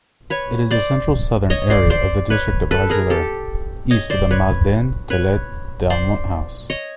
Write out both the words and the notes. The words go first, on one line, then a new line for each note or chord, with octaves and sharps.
It is the central-southern area of the district of Argelers, east of the Mas d’en Quelet d’Amunt house.
B4 C#5
C5 D5
C#5 D#5
C5 D5
C5 D5
B4 C#5
A4 B4
G#4 A#4
G4 A4
C#5 D#5
C5 D5
B4 C#5
B4 C#5
C5 D5
C#5 D#5